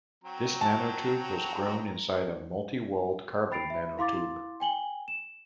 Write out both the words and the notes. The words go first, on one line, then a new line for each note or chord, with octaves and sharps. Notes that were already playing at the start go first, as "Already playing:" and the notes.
This nanotube was grown inside a multi-walled carbon nanotube.
F#3 C4 A#5
A5
G5 B5 A6 C7 D7 F7
E5 B5
E4 F5 C6 D6 A6
G5 G#5 F#7 G7
E7